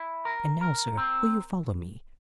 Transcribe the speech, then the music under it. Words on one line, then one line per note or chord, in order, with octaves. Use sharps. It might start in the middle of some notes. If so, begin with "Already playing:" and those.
And now, sir, will you follow me?
Already playing: E4
A#4
A#4
C4